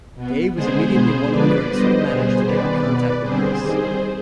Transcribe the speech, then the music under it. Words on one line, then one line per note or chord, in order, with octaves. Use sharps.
Dave was immediately won over and soon managed to get in contact with Chris.
B2 B3
D3 G#3 B3 G#4 C5
B2 G#3 B3
D3 F3 G#3 B4 D5
D3 G3 B3 C5 D#5
B2 G3 B3 G#4 C5
D#3 B3 B4 D5
B2 B3
D3 G3 C4 G#4 C5
D#3 G3 C4